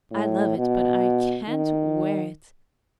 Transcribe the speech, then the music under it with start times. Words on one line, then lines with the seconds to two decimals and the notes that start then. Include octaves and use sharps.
I love it, but I can't wear it.
0.11 A2
0.57 B2
1.48 D#3